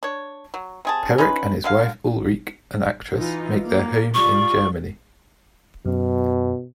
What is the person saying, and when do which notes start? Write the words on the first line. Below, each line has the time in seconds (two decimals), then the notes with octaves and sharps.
Perick and his wife Ulrike, an actress, make their home in Germany.
0.03 D4 C#5
0.54 F#3
0.85 C3 G#4 A5
1.18 C#4 D#4 F4 B4
1.64 D3 F#3 F5
3.17 E3 D#4 F4
3.65 A#3
4.14 F4 G4 D5 C#6
5.86 F#2 B2